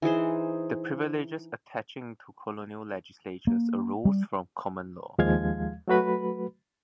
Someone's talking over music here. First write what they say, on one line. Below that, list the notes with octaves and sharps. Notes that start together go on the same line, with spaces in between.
The privileges attaching to colonial legislatures arose from common law.
E3 D#4 G#4 C5
A#3
G3
D#2 F3 G#3 F5 G#6
F#3 A3 F#4 B4 B5